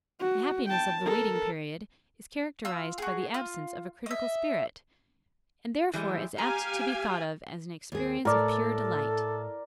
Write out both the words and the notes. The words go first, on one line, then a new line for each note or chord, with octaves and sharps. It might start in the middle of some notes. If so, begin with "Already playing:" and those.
The happiness of the waiting period is characterized by the absence of a critical spirit, and therefore is apt to be thought of as an experience of pure delight.
F#4
G5 A5
A4 A#4
F4 E6
F#4 G#4
F4
D#5 E5
E3 G3 G#3
G4 F5 G#5 A#5
D#2 G#4
A2 A4 A#4 D5